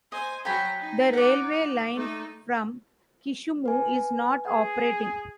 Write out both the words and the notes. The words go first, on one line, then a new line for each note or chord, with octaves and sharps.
The railway line from Kisumu is not operating.
C5 D#5 G#5
F#3 G5 G#5 A#5 B5
D#4
D5 F#5
A3 D#4
B4 G#5
G#4